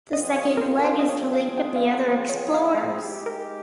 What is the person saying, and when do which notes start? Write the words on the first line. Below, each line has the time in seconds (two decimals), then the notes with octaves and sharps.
The second leg is to link up the other explorers.
0.13 F3 C4 F4 G#4 D#5
0.36 C#5
0.57 A#4
0.62 C5
0.79 A#4
0.84 C5
0.99 D#5
1.09 C#5
1.34 F5
1.58 G5
1.76 F5
1.93 A#4
2.12 C5
2.29 C#5
2.54 F5
2.77 F5
3.02 G#3 D#4 G4
3.26 A#4